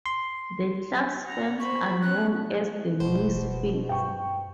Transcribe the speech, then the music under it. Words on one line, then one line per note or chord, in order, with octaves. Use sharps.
The club's fans are known as "The Misfits".
C6
F#5 A#5
C5 B5 C#6
B3 C#4 F#6
A1 B2 C5
F1
G2 G5 C#6